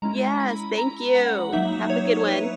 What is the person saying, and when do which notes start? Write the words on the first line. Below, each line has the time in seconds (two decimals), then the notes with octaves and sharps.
Yes, thank you. Have a good one.
0.02 G#3 C#4 E4 A#5
0.40 B5
0.77 A#5
1.15 F#5
1.52 F#3 A#3 D#4 E5
1.90 C#5
2.20 C#5
2.27 B4